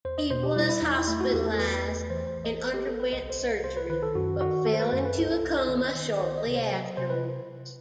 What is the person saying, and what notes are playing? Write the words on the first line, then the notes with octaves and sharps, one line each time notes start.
He was hospitalised and underwent surgery, but fell into a coma shortly afterwards.
E2 C5
D#5
B2 C5
G4
G3 E4
E4
E2 D#4
E4
A3 E4
F#4
E2 G4
A4
E2 B4
A3
E3 C5
C5
A1
D#5
A1
G4
A1 A4
B4
C2 D#5
C5
C2
C2 C5
B4
D#3 B4
A4
F#2 F#4
D#3 F#4
A3 A4
C5
B4
F#2 C5
B4
C2 A4
A4
C2
D#5
D#3
D#3
C2 C5
D#5
C3
C5
F#3
D#5
C3 C5
B4